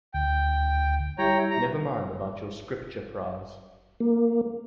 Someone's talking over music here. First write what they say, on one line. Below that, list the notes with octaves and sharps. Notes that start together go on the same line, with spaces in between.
Never mind about your Scripture prize.
D2 G5
G3 E4 C#5 G5 A#5
A#5
A#3